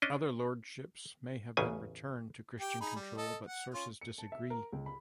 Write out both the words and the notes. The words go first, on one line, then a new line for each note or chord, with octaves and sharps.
Other lordships may have been returned to Christian control, but sources disagree.
C#4 D4 D#5
A1 E2 C#3 G#5
G4 G5
D#4 G#4 B5
G3
A4 D#5
F#5
C#4 F4
C#7
A5
E5
A#4
C#2
B5